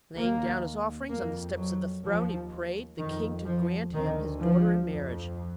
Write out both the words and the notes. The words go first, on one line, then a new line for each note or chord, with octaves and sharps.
Laying down his offerings on the steps of the throne, he prayed the king to grant him his daughter in marriage.
D#2 A#3
F2 A#3
F#3
D#2 F3
F2 D#3
F3
D2 D#3
F3
F2